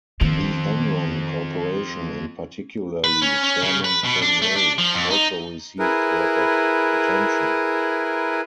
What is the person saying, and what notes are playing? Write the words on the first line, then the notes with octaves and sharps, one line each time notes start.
The Enron Corporation, and particularly Chairman Ken Lay, also received a lot of attention.
D#3 F3 C4
B4
C#4
C#4
C#3
B4
B2
D4
A3
D4
F3
F2
D#4
E4 G#4 A#4 B4